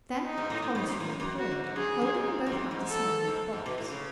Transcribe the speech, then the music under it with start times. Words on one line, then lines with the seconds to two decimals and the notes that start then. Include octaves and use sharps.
Then Hollis reappeared, holding in both hands a small leather box.
0.25 D#4
0.37 G#2
0.50 A2
0.62 A2
0.75 G#2
0.88 F#2
1.00 A2
1.20 F#2
1.38 F#4
1.51 G#2
1.64 G#2
1.76 F#2 G#4
2.02 F#2
2.14 G#2
2.46 G#2
2.52 F#2
2.71 G#2
2.89 A4
3.28 G#2
3.53 G#2
3.66 B2
3.78 A2
3.90 C#3